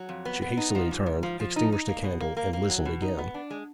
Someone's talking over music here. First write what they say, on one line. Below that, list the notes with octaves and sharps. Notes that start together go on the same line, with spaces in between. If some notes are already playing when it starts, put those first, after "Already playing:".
She hastily turned, extinguished the candle, and listened again.
Already playing: F#3
F2
B3
B3
D#4
F3
G#2
G#2
F3
F3
D#4
D#4
A#3
B2
A#3
A#3
A#3
F#3
B2
D#4
B3
D4
G#3